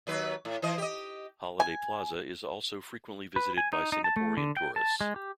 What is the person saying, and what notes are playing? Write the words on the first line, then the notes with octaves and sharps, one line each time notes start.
Holiday Plaza is also frequently visited by Singaporean tourists.
D#2 F#3 B4
A2
E3 C5 D#5
G4 D#5
G#5
B4
G#5
D#4
D#4
A5
A3
D3
G5
A5
G#3
G4